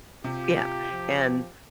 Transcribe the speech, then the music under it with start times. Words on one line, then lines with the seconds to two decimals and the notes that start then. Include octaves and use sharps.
Yeah, and,
0.24 C3 F4 G4
0.91 F3